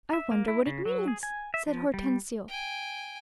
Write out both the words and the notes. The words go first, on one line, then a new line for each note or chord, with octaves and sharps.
"I wonder what it means," said Hortensio.
E5
A#3
E4
C#3
F#3
G#4
G#5
E5
F3
G3
G5 G#5